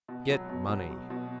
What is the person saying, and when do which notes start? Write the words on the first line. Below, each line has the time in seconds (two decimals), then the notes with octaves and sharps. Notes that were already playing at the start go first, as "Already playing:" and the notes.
Get money!
0.08 B2
0.30 F#3
0.49 B2
0.69 F#3
0.91 B2
1.10 B2